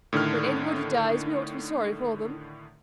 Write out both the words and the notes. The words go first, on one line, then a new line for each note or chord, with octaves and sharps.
When anybody dies we ought to be sorry for them.
A2 D3 D#3 F6